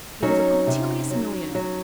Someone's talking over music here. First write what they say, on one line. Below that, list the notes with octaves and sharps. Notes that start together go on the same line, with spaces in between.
He was a punctilious millionaire.
F#3 C#4 D#4
C3
F#3
F#3